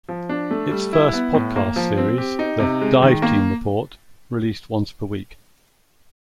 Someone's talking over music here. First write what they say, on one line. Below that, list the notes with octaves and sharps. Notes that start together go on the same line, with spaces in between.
Its first podcast series, the "Dive Team Report", released once per week.
F3
D4
A3
G3
E4
B3
A2
A#3
F3
C4
G4
D#4
C3
G#3
D#3
A#3